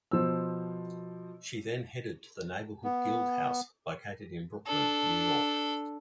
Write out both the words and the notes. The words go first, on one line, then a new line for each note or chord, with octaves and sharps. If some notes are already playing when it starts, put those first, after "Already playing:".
She then headed the Neighborhood Guild House located in Brooklyn, New York.
B2 F3 C5 E6
B3
D4 A4